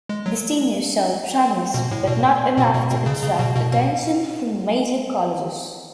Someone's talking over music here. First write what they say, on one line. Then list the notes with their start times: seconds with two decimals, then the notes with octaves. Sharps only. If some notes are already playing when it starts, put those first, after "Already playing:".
Gastineau showed promise, but not enough to attract attention from major colleges.
0.09 G#3
0.26 F#3
1.74 B2
1.91 A2
2.07 B2
2.58 B2
2.74 B2
2.90 B2
3.06 C#3
3.23 C#3
3.39 B2
3.56 B2
3.72 B2